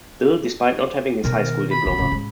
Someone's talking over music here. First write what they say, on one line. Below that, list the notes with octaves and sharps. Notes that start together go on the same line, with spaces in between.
Bill, despite not having his high school diploma.
B2 D#3 A#4
B5
B1 E3 B5
G#2 C#3
G#2